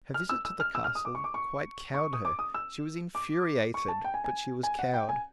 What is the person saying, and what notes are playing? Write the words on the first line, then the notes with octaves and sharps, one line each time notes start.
Her visit to the Castle quite cowed her. She was infuriated, but she was cowed.
F6
E6
E6
F6
E6
F6
D#6
D6
C#6
D6
C#6
C#6
D#6
D6
D#6
E6
D6
C#6
A5
G5
G#5
G#5
G#5
F#5
G5
G#5